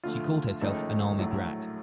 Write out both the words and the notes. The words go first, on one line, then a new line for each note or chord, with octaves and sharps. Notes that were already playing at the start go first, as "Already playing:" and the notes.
She called herself an "army brat".
D2 D3 F3 A3 F4
E1 D#2 C#3 F3 A3 D#4
A#1 A2 F#3 A3